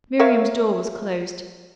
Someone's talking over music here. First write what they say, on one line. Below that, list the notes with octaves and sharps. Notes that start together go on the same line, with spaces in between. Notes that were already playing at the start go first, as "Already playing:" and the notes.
Miriam's door was closed.
A#4 C#5 E5 F5